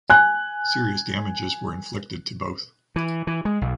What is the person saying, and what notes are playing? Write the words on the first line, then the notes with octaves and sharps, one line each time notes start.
Serious damages were inflicted to both.
G#5 F#6
E3
E3
G#3
B1